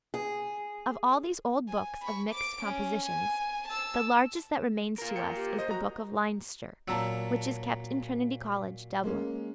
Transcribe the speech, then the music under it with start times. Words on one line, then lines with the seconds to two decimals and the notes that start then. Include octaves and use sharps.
Of all these old books of mixed compositions, the largest that remains to us is the Book of Leinster, which is kept in Trinity College, Dublin.
0.14 G#4
1.68 G#5
2.02 B5 C#6
2.31 D6 D7
2.64 C#4
3.05 G#5
3.68 A5 E6
4.98 F4 A#4
5.16 G5 C#7
5.36 G4
5.59 C5 D#5
5.71 F#4 A#5
6.88 A#2 F#3 A5 A#5 E6
9.04 G#3 A#3 C#4